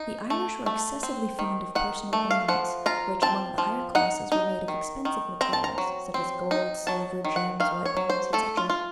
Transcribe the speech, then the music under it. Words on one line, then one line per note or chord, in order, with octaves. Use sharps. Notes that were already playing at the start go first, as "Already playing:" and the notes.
The Irish were excessively fond of personal ornaments, which among the higher classes were made of expensive materials, such as gold, silver, gems, white bronze, etc.
Already playing: D#4
A3
A3
C4
D#3
D#3 F#5
A3
F5
F3 F#5
F4 A#5
C4 A5
F3
D#4 F#5
D#4
D#3
D#3
C4 A#5
A5
A#5
F#3
C4
D#4
F#3 A5
D#3
F#5
D#3 F5
C#5
F#3
C5
A3 A4
F4
F4